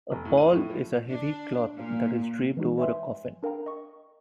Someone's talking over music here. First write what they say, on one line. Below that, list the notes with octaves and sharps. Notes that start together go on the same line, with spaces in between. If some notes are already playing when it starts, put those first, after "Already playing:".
A "pall" is a heavy cloth that is draped over a coffin.
F1
A2
D#7
A2
F3
D4
A#2
E3 G#3 D#4 F#4
B4 C#5 E5 G5 G#5 C6
D4 A#4 F5 G5 A#5
D#5 C#6